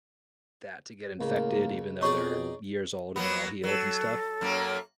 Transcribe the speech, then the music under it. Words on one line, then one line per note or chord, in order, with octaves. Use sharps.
that to get infected even though they're years old and they're all healed and stuff,
C#2 A2 A#3
F2 B2 D#4 G#4 C#5 D5 C#6
F#3 A#3 B3
F#3 A4
F#2 A#3 C#4